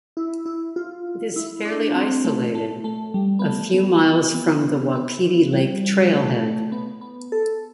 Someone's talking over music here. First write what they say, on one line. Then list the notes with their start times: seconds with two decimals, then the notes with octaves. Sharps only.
It is fairly isolated, a few miles from the Wapiti Lake Trailhead.
0.17 E4
0.46 E4
0.76 F4
1.36 E4
1.65 D4
1.95 C4
2.25 A3
2.55 A3
2.84 A3
3.14 G3
3.39 B3
3.45 A3
3.74 B3
4.34 B3
4.93 B3
5.52 G3
6.13 A3
6.72 B3
7.01 B3
7.32 A4